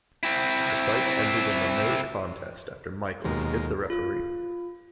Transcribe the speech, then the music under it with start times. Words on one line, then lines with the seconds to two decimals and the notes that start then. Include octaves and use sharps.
The fight ended in a no contest after Michaels hit the referee.
0.23 C4 E4
3.24 D#2 B2 G#3 A#4
3.90 F4